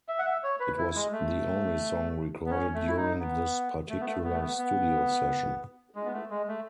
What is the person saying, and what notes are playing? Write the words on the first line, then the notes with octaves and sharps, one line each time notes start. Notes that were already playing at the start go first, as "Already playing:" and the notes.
It was the only song recorded during this particular studio session.
E5
F#5
E5
C#5
B4
E4
G#3
A3
B3
C#4
A3
E4
D#4
B3
A3
B3
A3
B3
A3
B3
B3
G#3
B3
A3
G#3
A3